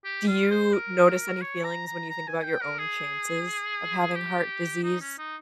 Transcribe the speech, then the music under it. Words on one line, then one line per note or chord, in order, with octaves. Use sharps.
Do you notice any feelings when you think about your own chances of having heart disease?
G4
F4
C5
A#4
C#5
A#5
A#5
A#5
G#5
G5
A#4
G#4
G4
D#4
C#4
D#4